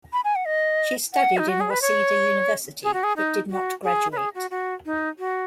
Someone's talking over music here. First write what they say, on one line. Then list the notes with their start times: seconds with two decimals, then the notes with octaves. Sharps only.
She studied in Waseda University but did not graduate.
0.13 B5
0.24 G#5
0.36 F#5
0.46 D#5
1.14 F#5
1.38 D#4
1.48 F#4
1.60 G#4
1.70 B4
1.82 C#5
2.83 G#4
2.94 F#4
3.04 G#4
3.17 D#4
3.50 F#4
3.84 G#4
4.12 B4
4.17 G#4
4.35 F#4
4.51 F#4
4.85 D#4
5.19 F#4